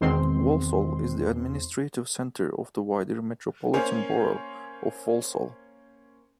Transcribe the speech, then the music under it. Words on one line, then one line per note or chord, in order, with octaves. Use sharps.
Walsall is the administrative centre of the wider Metropolitan Borough of Walsall.
E2 B2 D#3 G#3 C4 C6
A#3 C#4 C5 G#5